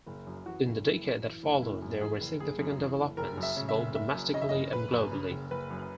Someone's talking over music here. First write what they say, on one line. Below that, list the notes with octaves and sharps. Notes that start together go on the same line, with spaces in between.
In the decade that followed, there were significant developments both domestically and globally.
F#1
F#2
E3 F#4
F#1
F#1 E4
F#2
E3
F#1
F#1 E4
F#2
E3 G#4
F#1
F#1 G#4
F#2
E3
F#1
F#1 A#4
F#2
E5
C#3
E5
F#1
F#1 E5
F#2
C#3 D#5
E5
F#1 D#5
F#1 B4
F#2
C#3
F#1
F#1 B4
F#2